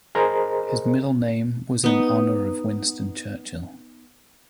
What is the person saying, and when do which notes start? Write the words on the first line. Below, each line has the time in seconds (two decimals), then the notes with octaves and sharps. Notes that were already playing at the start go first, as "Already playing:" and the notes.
His middle name was in honour of Winston Churchill.
0.15 G#4 A#4 C5 D#5 A#5
1.84 B3 D#4